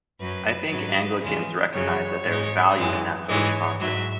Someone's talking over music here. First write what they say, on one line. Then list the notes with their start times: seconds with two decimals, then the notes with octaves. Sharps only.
I think Anglicans recognise that there is value in that sort of concept.
0.20 F#2 F#3 B4
0.70 G#2 F#3
1.23 E2 C#3 G#3
1.73 F#2 C#3 F#3 C#5
2.26 G#2 G#3
2.77 F#2 E3 G#3
3.28 G#2 E3 G#3 C#5
3.79 G#2 F#3 E5